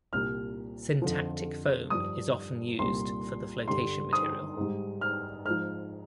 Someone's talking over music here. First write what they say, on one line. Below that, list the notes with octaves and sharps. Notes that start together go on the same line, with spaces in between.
Syntactic foam is often used for the flotation material.
C2 A#2 G3 F6
F2 D3 F3
G2 F3 D#6
C2 A#2 G3 C6
G2 D3 G3 C6
D#6
G#2 G3
F6
G#2 F3 F6